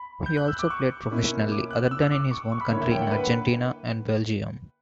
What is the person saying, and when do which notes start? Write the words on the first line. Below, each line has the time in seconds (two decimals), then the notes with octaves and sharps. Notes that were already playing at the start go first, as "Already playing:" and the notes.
He also played professionally, other than in his own country, in Argentina and Belgium.
Already playing: B5
0.26 G6
0.37 F#6
0.48 E6
0.59 D6
0.70 C#6
1.11 B2 A#3 C#4 E4
1.52 D6
1.71 F#6
1.91 E6
2.01 E6
2.12 D6
2.31 C#6
2.52 C#6
2.61 B5
2.71 D3 A#3 E4 C#5
2.81 E5
2.92 G5
3.02 F#5
3.12 B4